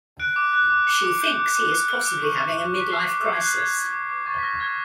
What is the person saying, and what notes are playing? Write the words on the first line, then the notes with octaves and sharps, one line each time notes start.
She thinks he is possibly having a midlife crisis.
F#6 D7
D6
F#6
D6
D6 C#7
D6
G6
D6
D6
F6
F6
D6
C#6
F6
F6
C#6
B6
D6 C7
D6
D6 G6
G#6
F#6 G6
D6 G#6
G6
F#6 G#6
D6
D6
C#6 A6
B6
F6 A#6
F6 G#6